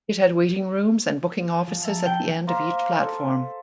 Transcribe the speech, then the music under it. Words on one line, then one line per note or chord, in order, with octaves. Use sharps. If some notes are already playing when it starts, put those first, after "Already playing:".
It had waiting rooms and booking offices at the end of each platform.
F3 G#5
E5 A5 A#5
G5
A#3 A#4 C5 E5
A4